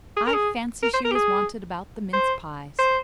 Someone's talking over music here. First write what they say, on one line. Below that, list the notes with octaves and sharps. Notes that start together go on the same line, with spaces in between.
I fancy she was wanted about the mince-pies.
G#4
A#4
G#4
A#4
C5
A#4
G4
G#4
C5
C5